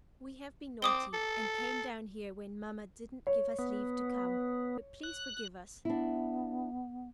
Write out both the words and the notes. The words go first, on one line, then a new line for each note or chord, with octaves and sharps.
We have been naughty, and came down here when mamma didn't give us leave to come; but please forgive us.
C4 D6 D#6 G7
A4
C#5
B3
F#6
B3 D4 E4